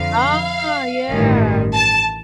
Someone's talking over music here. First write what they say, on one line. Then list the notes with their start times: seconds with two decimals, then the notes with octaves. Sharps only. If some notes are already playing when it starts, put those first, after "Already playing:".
Oh, yeah.
Already playing: F2 D3 F3 F5
1.10 A1 G2 D#3
1.74 A5